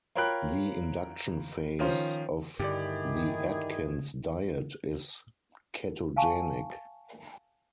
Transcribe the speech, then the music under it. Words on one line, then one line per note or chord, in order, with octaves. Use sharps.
The induction phase of the Atkins diet is ketogenic.
F4 A#4 C#5 G5 B5 F#6
D#3 F3 C#4 F4 C5
G2 D3 D#3 A3 E4 G4 G#4 D5
F5 F#5 G#5 A5 C#6